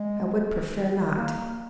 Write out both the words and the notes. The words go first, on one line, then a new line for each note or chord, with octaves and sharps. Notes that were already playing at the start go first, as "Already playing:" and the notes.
"I would prefer not."
Already playing: G#3
A#3